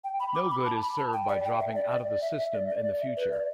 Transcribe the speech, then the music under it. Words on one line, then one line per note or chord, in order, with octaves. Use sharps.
No good is served by dropping out of the system in the future.
G5
B5
D6
B5
A5
B5
A5
G5
D5
G5
E5
D5
D5
E5
E5
D5
D5
D5
E5
B4
D5